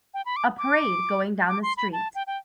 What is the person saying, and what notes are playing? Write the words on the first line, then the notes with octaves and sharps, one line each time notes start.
A parade going down the street.
G5
B5
D6
D6
D6
C6
B5
A5
G5
G5